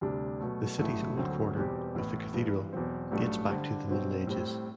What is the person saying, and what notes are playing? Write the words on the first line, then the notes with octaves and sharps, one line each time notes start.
The city's old quarter, with the cathedral, dates back to the Middle Ages.
D2 C3 G3 D4
B2 F#3 A3
A1 G2 F#3 A3 E4
D2 D3 F#3 C4
E2 B2 G3 C4 G4
A1 A2 E3 B3
G2 E3 B3
E2 B2 F#3 C4
A1 G2 F#3 A3 D4
D3 G3 D4 G4 C5
B2 F#3 C4
A2 G3 C4